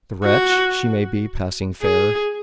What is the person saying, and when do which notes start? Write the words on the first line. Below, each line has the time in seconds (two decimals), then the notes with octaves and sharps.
The wretch, she may be passing fair.
0.24 F#4
1.82 G#4